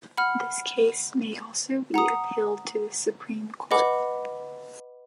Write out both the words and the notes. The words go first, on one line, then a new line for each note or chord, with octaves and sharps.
This case may also be appealed to the Supreme Court.
F#5 B5 F6
F#5 A#5 D#6
B4 D#5 F#5 B5 D6